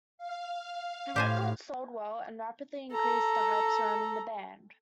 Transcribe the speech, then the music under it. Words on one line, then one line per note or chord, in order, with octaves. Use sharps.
The record sold well and rapidly increased the hype surrounding the band.
F5
A2 G4 C5 G#5
A4 A#5